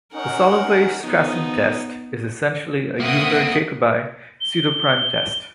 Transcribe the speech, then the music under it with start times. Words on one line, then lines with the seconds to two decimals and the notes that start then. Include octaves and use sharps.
The Solovay-Strassen test is essentially a Euler-Jacobi pseudoprime test.
0.13 C#4 D#4 A#4 F#5
1.01 D3 F3 F#3 B3 D#4
3.00 A#3 C4 E5 F#5 D#6
4.41 G7